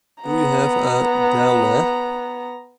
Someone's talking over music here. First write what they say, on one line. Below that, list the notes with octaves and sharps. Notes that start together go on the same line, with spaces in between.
Do you have a Delna?
B3 A#5